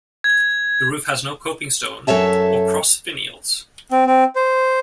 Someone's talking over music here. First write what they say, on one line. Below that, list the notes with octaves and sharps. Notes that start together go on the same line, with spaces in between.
The roof has no Coping stone or Cross finials.
G#6
F#2 A4 C#5 E5 A5
C4
C4
C5